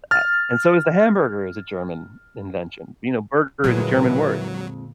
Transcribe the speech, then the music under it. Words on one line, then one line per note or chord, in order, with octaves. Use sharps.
uh and so is the hamburger is a German invention, you know, "burger" is a German word.
F6 A6
F2 A#2 D3 F#3 G#3 E4 A#4 B4